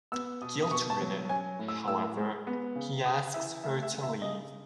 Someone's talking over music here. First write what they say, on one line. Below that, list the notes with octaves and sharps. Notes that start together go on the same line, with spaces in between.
Guilt-ridden, however, he asks her to leave.
B3 E6
B2 D#6
D#6
B2 C#6
A5
F#3
C#4 G#5
A2
E6
A2 E6
G#3
B3
C#3
C#3 D#6
E3 E5
A3 E5
E5
C#3
E5
C#3 D#5